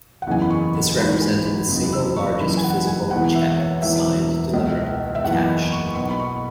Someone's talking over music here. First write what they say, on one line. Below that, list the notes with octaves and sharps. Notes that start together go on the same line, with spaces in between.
This represented the single largest physical check signed, delivered and cashed.
F#5
F#1 E2 C#3 E3 G#5
B5
C#6
B5
G#1 G#2 E3 B5
G#5
B5
F#1 E2 C#3 B5
E6
C#6
F#1 F#2 C#3 E3 B5
G#5
F#5
G#5
E1 E2 E3 F#5
E5
C#5
E1 E2 E3 E5
C#2 B2
E5
F#1 E2 E3 F#5
G#5
B5
C#6
C#6
B1 B2 B5
B5
C#6